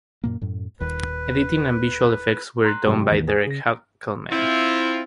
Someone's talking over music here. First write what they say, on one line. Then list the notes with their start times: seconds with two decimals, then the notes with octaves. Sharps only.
Editing and visual effects were done by Derek Hackleman.
0.24 F#2 A#2 A#3
0.41 F#2 A2
0.80 D#1 D#2 B4
2.64 A#5 C6 F#6
2.87 G2 C3 F#3 G#3 G4 G5
3.12 D#2 D#3 E3
3.28 G#4
3.47 C#3 A#6
4.31 C4 E4 F4